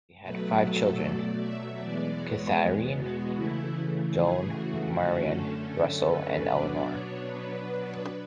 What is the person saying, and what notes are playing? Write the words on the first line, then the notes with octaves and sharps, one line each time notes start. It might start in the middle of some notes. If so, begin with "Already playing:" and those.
They had five children: Katharine, Joan, Marion, Russell, and Elinor.
B2 F#3 A3 B4
A4
D5
E5
E2 B2 G#3 B3 D5
C#5
F#4
C#3 E3 A3 E4
G#4
F#4
F#2 D3 A3 C#4 F#4
A4
B4
B2 F#3 B3 D4 D5
C#5
B4